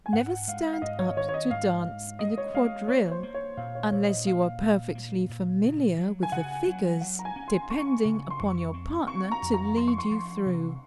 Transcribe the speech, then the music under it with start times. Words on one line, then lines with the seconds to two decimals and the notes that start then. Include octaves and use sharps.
Never stand up to dance in a quadrille, unless you are perfectly familiar with the figures, depending upon your partner to lead you through.
0.06 G#5
0.13 G#2 F#5
0.48 G#3 F5
0.73 F5
0.82 G#2 D#5
0.99 C#5
1.16 D#3 C#5
1.29 C#5
1.34 D#5
1.51 G#2 F5
1.85 G#2
2.19 G#3 D#5
2.38 C#5
2.54 G#3 F5
2.88 A#3 C#5
3.11 C5
3.23 A#3
3.34 C#5
3.57 A#2 F5
3.75 C#5
3.92 A#2 C#5
4.09 D#5
4.27 A#3 F5
4.61 A#2
4.95 A#3
5.29 A#2
5.64 C#3
5.98 F#3
6.23 G#5
6.32 C#3 F#5
6.68 F#3
7.01 F#3 F#5
7.19 A#5
7.25 G#5
7.36 C#4
7.48 C6
7.70 C#4 C#6
8.05 C#3
8.30 C6
8.39 F2 C#6
8.74 C4
9.07 C4 C#6
9.32 A#5
9.42 F2
9.54 A#5
9.77 F3 C6
9.88 C#6
9.98 C6
10.11 F3
10.46 C3